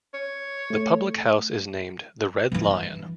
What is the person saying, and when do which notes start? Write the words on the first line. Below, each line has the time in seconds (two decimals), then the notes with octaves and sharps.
The public house is named 'The Red Lion'.
0.14 C#5
0.70 A3
2.52 G2 E3